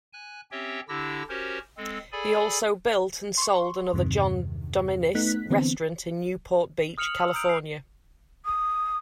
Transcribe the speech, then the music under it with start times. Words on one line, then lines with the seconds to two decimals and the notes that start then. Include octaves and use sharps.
He also built and sold another John Dominis Restaurant in Newport Beach, California.
0.13 G#5 F#6
0.51 C4 C#4 G4 C#5 E5 G5
0.89 D3 D4 E4 G4 E6 A#6
1.29 C#4 F#4 G4 A#4 C5 C#5
1.77 G#3 C4 A4
2.12 G#4 A4 D5 G#5 B5
3.38 C6 C#6
3.93 E2 G2 C3 D#3
5.14 A3 B3 D#4 F#6 B6
5.50 D3 E3 B3 C4
6.98 D#6 F6 C#7 F7 F#7
7.19 E6
7.34 A#5 D#6 E6 G6 D7 F7
7.45 C7 F7
8.45 D#6